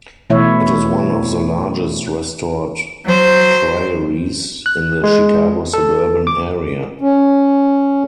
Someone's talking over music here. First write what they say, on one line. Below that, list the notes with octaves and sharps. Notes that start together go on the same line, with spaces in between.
It is one of the largest restored prairies in the Chicago suburban area.
B2 E3 A3 E4 C#5 E5
F#3 C5
F#6
G#3
A4
D6
C#4